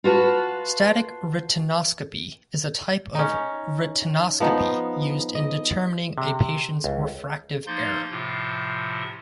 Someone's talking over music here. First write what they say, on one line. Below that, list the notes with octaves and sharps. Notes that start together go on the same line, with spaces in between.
Static retinoscopy is a type of retinoscopy used in determining a patient's refractive error.
F4 F#4 B4 A5
C#4 D#4
F3 B3 D#4
D#5
C3
C#2
F3 A#3 D#4 C6 G6 A6
A2 C3 F3 F4